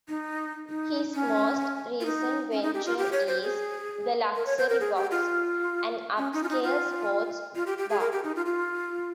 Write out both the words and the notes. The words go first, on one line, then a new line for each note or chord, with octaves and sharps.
His most recent venture is "The Luxury Box", an upscale sports bar.
D#4
D#4
C#4
F4
D#4
C#4
D#4
G4
F4
G4
C#5
C5
G#4
A#4
C#5
C5
A#4
G#4
G4
F4
C#4
D#4
F4
D#4
F4
F4
G4
G4
G#4
A#4
G4
D#4
F4
F4